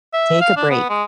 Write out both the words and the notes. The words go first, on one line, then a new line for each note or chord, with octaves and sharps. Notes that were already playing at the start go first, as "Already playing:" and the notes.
take a break
E5
F5
D4
B3
G#3